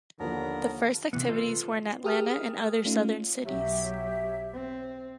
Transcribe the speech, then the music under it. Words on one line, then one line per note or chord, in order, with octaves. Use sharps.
The first activities were in Atlanta and other Southern cities.
D#2 D3 F3 B3 A#4
C3 E3 B3
F4 A4 B4 D#5
G4 G#4 A#4 D#6 F6
A3 C#4 D#4 F4
B1 F#3 G4 C#5 E5
C4